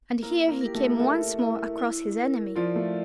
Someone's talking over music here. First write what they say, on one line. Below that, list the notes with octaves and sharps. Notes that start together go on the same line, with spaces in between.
And here he came once more across his enemy.
A#3 E4 A#4
A#3 A#4
G4 A#4
A3 A4
A3 A4 E5
E4
E4
A#4
F3 F4 D5
A3